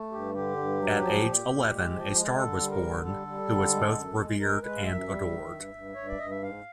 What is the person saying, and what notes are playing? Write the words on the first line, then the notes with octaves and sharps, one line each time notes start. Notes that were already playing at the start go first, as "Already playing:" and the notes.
At age eleven, a star was born, who was both revered and adored.
Already playing: A3
G2 G4
D3 G4
G2
F#3
F3
A#2
A#2
G#3
F3
G#3
D3 A4
G3
A#4
D3
G3 A4
G3
D3
G#3
F#2
G#3
G#3 A#4
G#3 B4
F5
F#2 E5
G3
D#3
G2
G2
G2 C#5
D5
G2 D#5
E5
G#2 F5